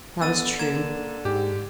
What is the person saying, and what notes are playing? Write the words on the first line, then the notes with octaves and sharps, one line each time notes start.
"That is true."
D3 B3 E6 A6 D#7
A#3 G#6 E7
G#2 G4